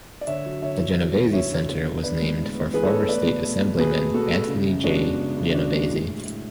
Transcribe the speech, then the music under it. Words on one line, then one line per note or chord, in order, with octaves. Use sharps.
The Genovesi Center was named for former state Assemblyman Anthony J. Genovesi.
D5
D3 C#5 E5
F#3
D3 C#5 E5
D3
F#3
E2
E2 C#5 E5
D3
B3
B3
B3 B4 D5
G#3
A2
B3
E3 G#4 B4
A4 C#5
B3
A3 B4 D5
B2
A3
B2
B2 G#4 B4
A3
B2 F#4 A4
B2
C#3
F#2
G#3 D4 F#4
B3
C#3
C#3
G#3 D4 F#4
G#3
A2
A2
A2